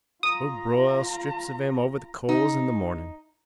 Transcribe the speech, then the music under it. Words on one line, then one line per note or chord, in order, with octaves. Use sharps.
We'll broil strips of him over the coals in the mornin'.
F4 A#5 D#6
D#4